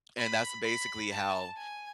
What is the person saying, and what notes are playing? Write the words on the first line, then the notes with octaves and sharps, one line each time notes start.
And that's basically how
B5
B5
A5
G#5